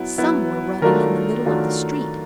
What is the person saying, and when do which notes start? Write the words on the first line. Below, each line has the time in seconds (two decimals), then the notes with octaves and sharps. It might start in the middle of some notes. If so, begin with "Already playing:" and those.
Some were running in the middle of the street.
Already playing: F#3 B3 E4
0.18 F#3 B3 E4
0.82 D#3 F#3 A3 D4 F4 A#4
1.46 D#3 F#3 A3 D4 F4